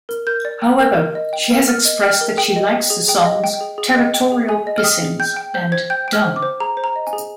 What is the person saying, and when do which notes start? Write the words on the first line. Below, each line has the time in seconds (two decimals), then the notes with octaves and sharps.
However, she has expressed that she likes the songs "Territorial Pissings" and "Dumb".
0.09 A#4
0.27 A#4 G6
0.45 D5
0.62 G5
0.80 A#4
0.97 A#4
1.15 D#5
1.33 G5
1.51 A#4
1.68 A#4 F6
1.85 D#5
2.03 G5 F6
2.21 A#4
2.37 G#4 G5
2.56 D#5
2.73 G5
2.90 G#4
3.08 G#4 G5
3.25 D#5
3.44 G5
3.61 G#4
3.78 G#4
3.96 D#5
4.14 G5
4.32 G#4
4.49 G#4 G#5
4.67 D#5
4.78 F6
4.84 G5 D#6
5.02 G#4
5.20 G5 G6
5.37 G5
5.54 C5 G6
5.72 C5 G#6
5.90 G5 G6
6.08 G5 F6
6.24 C5
6.36 D6
6.43 C5
6.60 G#4 A#5
6.77 C5
6.84 A#5
6.96 D#5
7.07 G#5
7.13 G#4